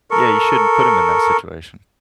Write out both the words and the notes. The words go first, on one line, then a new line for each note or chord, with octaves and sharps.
Yeah. You shouldn't put 'em in that situation.
A4 A#4 C#6